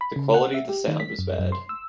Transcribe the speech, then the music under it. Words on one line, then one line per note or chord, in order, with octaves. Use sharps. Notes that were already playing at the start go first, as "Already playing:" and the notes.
The quality of the sound was bad.
B5
C#3
F#5
E5
G4
D#3
B6
F#2
F#2
C6
E6